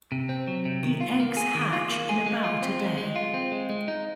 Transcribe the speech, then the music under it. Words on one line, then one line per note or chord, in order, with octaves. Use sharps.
The eggs hatch in about a day.
C3
C4
F#3
C3
D#3
F4
A#3
G#4
D#3
F4
A#3
G#4
G#3
F4
C4
G#3
G#3
F4
C4
G#3
G#3
D#4